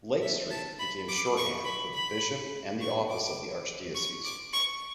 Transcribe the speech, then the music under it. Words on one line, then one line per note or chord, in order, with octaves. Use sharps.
"Lake Street" became shorthand for the Bishop and the office of the Archdiocese.
E5
A5
B5
D6
C#6
B5
B5
C#6
D6
C#6
D6
C#6